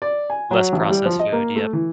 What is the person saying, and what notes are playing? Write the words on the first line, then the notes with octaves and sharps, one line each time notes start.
Less processed food. Yep.
D5
G#5
F#3
A1
G3
F3
D#5
A#3
A3
E3